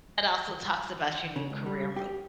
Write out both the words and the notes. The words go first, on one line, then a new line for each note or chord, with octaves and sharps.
but also talks about your new career move.
C#3
C#2
G3
G4